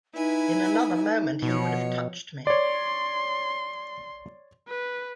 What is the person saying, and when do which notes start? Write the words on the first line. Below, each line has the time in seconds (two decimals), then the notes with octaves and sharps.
In another moment he would have touched me.
0.15 D#4 E4 B4 G#5
1.42 B2 F3 C#5
2.47 C#5 D5 C6
4.68 B4